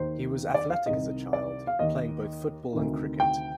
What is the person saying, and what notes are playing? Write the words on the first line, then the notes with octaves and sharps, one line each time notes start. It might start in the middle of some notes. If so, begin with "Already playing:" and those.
He was athletic as a child, playing both football and cricket.
Already playing: D#2 D#3 C5
D5
F5
C2 C3 D#3 D#5
D5
F5
D#2 D#3 D#5
D2 C3 D#3
G5